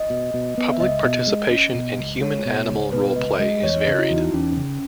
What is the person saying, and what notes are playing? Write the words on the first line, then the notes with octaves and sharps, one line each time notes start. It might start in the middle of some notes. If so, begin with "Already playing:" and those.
Public participation in human animal roleplay is varied.
Already playing: D#5
B2
B2
B3
E5
C#2 D#5
B2
G#3
C#4
B2
C#2
G#3 C#5
B2
C#2
B2 B4
C#2 D#5
G#3 D#5
E2 C#5
D#5
C#3
F#4
E4
E2
D#4
E2 C#4
C#3